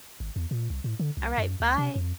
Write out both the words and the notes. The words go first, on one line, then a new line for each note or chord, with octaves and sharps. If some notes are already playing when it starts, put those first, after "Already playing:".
Alright, bye.
G#1
E2
A#2
C2
A2
D3
C2
F#2
D2
C3
F2